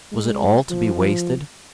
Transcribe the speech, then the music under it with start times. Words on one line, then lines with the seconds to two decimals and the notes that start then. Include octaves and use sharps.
Was it all to be wasted?
0.12 G#3
0.70 F3